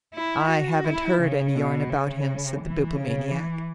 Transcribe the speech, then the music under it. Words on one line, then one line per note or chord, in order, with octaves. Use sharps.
"I haven't heard any yarn about him," said the Bibliomaniac.
E4
F#4
E4
C#3
B2
C#3
E3
C#3
E3